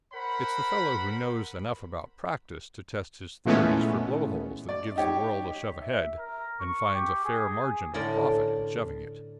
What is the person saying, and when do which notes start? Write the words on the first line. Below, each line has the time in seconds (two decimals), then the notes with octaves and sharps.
It's the fellow who knows enough about practice to test his theories for blow-holes that gives the world a shove ahead, and finds a fair margin of profit in shoving it.
0.13 A#4 C5 F#5 B5
3.45 A#2 E3 G#3 A3 B3 C#4
4.69 D5
4.96 D#4 G4 C#5
5.80 E5
6.19 A#4
6.60 C#6
6.93 G4
7.24 G#4
7.94 A2 D3 A#4 D5 G5